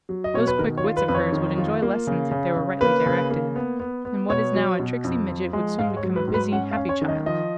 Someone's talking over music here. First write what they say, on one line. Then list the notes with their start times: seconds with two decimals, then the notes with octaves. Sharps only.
Those quick wits of hers would enjoy lessons if they were rightly directed, and what is now a tricksy midget would soon become a busy, happy child.
0.09 F#3
0.24 D#5
0.34 B2 C#5
0.47 B4
0.59 D#3 A#4
0.78 C#5
0.84 F4
0.97 B4
1.08 F2 B4
1.15 C#5
1.32 D#3
1.58 F4
1.82 A#3
2.07 C#3
2.31 C#3
2.56 C#3
2.81 A#3 B4
3.06 C#3
3.30 A#3
3.56 B3
3.80 B3
4.05 B3
4.29 B2 C#5
4.55 F#3
4.79 B2
5.04 F2
5.29 F3
5.53 G#3
5.79 G#2 F5
5.97 C#5
6.03 F#3
6.16 B4
6.28 G#2
6.34 B4
6.52 C#4 F#5
6.71 F5
6.77 C#4
6.89 C#5
7.02 D#3
7.08 D#5
7.26 F3 D#5